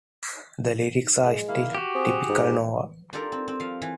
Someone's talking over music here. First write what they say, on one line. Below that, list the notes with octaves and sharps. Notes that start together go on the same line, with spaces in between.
The lyrics are still typical Nova.
G#3
A#3 E4 F5
F#4 G4
C4 G#4
G#2
D4 F4 G4 A4 A#4
C4
C4
F3 F5
E3